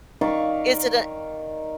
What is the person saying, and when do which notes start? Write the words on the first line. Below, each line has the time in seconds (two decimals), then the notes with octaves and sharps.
Is it a
0.21 D#3 D5 F5 C#6